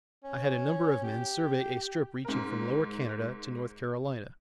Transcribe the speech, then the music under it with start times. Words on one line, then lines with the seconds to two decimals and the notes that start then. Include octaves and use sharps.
I had a number of men survey a strip reaching from Lower Canada to North Carolina.
0.23 C#4
1.04 G4
2.25 G#2 A#4